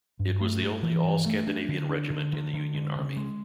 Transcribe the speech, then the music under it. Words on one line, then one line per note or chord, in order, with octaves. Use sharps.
It was the only all Scandinavian regiment in the Union Army.
G2
A3
G2
E3
G2
A3
D4
D3
D4
D3
D3
D3
G#3
C#3
G#3